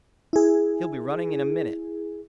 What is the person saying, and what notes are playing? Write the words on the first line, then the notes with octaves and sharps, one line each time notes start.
"He'll be running in a minute."
E4 G#4